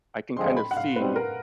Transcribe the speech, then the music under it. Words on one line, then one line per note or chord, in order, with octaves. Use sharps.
I can kinda see
F2 D3 F3 G#3 C4 C6
B5
F#5
F5
B2 G3 C4 B4
A#4